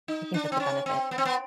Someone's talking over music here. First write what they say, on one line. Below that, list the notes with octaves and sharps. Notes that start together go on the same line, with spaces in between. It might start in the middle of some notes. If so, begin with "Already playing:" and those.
I think that's a benefit.
D#4
D4
C4
C#4
C4
B3
C4
B3